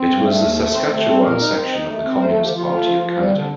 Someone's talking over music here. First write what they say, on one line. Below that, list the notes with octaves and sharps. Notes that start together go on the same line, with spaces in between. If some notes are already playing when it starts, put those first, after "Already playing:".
It was the Saskatchewan section of the Communist Party of Canada.
Already playing: C4
G2
A3
D#2
A3
C4 C5
A4
A3
G4
C4 A4
A#2 A#4
D#4
C4
D#4
A3
C4
A#4
A3 C5
A4
F3
G4
F3 F4
A3 F4
F3
F3
G3
D3